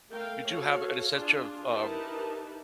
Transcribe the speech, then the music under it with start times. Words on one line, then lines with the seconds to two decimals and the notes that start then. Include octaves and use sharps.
you do have an essential, um,
0.11 A3 A#4 F5 G5
0.47 F#4 A4 C#5 F5
1.11 D4 F4 G#4
1.69 D#4 E4 G4 A#4 B4 A5